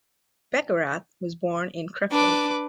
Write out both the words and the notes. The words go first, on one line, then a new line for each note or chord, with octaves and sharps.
Beckerath was born in Krefeld.
D4 B4 D6